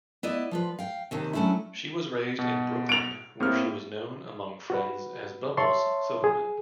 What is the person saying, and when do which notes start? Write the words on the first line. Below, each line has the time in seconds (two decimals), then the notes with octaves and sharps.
She was raised in Brooklyn, where she was known, among friends, as "Bubbles" Silverman.
0.23 B3 E4 D5 D#5
0.51 F3 F4 B4
0.79 F5 G5
1.11 D#2 C3 D#3
1.33 F#3 A3 C#4 D4 E4
2.39 B2
2.89 D7 F7
3.40 A2 A#3 C4 E4 F6
4.70 F#4 B4
5.57 C#5 E5 A5 C6 C#6
6.24 G#4